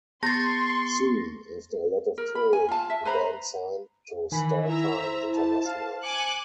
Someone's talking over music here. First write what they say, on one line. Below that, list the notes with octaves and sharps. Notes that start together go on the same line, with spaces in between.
Soon, after a lot of touring, the band signed to Startime International.
B3 C6 C#6 A6 A#6
A#4
B5
G#5
F4 A5
E5
B4 C5 A#5 B5
D#3 E3 G#5 B5
E4 E5 A#5
C5
A5
F5
G#5 D6 F#6 C#7